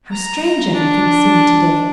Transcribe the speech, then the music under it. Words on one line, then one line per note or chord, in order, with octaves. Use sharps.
How strange everything seemed to-day.
A#5
D4